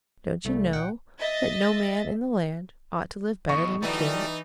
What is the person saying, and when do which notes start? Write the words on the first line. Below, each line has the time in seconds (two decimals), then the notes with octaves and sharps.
Don't you know that no man in the land ought to live better than the king?
0.45 C2 G3 A3
0.73 A#2 F#5 G5
1.20 D#5 E5 A6
3.49 E2 A2 D#5 C#6
3.83 D3 E3 F#3 G3 A3 D#4